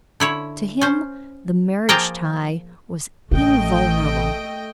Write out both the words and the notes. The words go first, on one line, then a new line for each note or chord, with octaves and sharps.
To him the marriage tie was invulnerable.
D3 E4 C#5
C#4 C5
F3 A#3 G#4 G5 A5 A#5
A1 E3 A3 D#5 G5